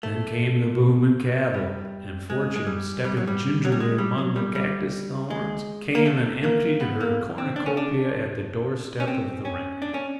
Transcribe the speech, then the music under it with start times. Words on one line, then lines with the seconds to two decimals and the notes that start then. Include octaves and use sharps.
Then came the boom in cattle, and Fortune, stepping gingerly among the cactus thorns, came and emptied her cornucopia at the doorstep of the ranch.
0.03 A3
1.54 G3
2.30 G#3
2.56 G#3
2.66 G3
3.05 G3
3.17 F#3
3.27 G3
3.65 F#3
3.72 G3
3.80 G#3
3.98 G3
4.18 F#3
4.36 G3
4.55 G3
5.30 G#3
5.95 A#3
6.06 A3
6.44 A#3
6.80 B3
7.00 A#3
7.38 C4
7.56 D4
7.66 C#4
7.77 D4
9.00 C#4
9.08 C4
9.45 C#4
9.82 D4
9.94 C#4